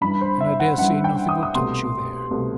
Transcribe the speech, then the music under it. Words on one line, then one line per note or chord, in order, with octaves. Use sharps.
And I dare say nothing will touch you there.
G2 E3 G3 B5
C5
E5
F#5
G2 E3 G3 F#5
G5
D#6
D#6
C2 B2 A3 C6
C2 B2 A3